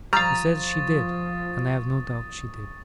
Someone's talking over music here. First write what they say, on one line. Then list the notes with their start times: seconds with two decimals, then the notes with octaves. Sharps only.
She said she did, and I have no doubt she did.
0.13 F3 G3 F5 A#5 C#6 D#6 A6